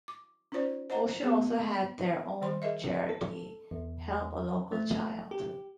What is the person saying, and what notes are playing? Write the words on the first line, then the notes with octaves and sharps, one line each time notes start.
Ocean also had their own charity, Help a Local Child.
D6
C#4 D#4 F4 C5 D5
C5 D#5 F#5 A#5
B3 G4 G#4 F5
D#3 G3 C5 C6
G#4 A#4 D#5 E5
A4
E2
A3
G4